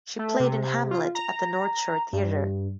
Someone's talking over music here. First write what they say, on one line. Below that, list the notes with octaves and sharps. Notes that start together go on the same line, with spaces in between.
She played in "Hamlet" at the North Shore Theater.
A3
C3
F4
A#5
G2